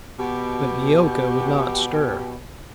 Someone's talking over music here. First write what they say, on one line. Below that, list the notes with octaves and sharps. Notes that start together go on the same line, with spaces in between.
But Neeoka would not stir.
B2 G4